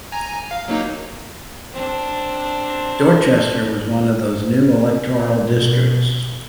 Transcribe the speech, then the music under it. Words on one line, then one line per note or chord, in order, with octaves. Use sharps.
Dorchester was one of those new electoral districts.
G#5 A#5
F5
F#3 A#3 D#4
C4 D4
B2